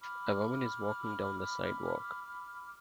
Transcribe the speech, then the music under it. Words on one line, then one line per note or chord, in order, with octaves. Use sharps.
A woman is walking down the sidewalk.
B5 D6 F6